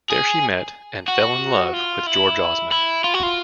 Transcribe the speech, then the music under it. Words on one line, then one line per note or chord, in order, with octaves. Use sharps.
There she met and fell in love with George Osmond.
G#4
F#4
F4
E4
E4
F4
F#4
F4